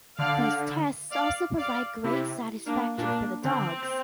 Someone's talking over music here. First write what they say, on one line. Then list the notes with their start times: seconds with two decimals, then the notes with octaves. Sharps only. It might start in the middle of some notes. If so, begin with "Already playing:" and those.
These tests also provide great satisfaction for the dogs.
0.18 D3 D5 F5
1.11 D5 F5
1.58 D5 F5
2.04 C3 E4 G4
2.66 A#3 D4
2.97 A#2 A#3 D4
3.44 D3 C4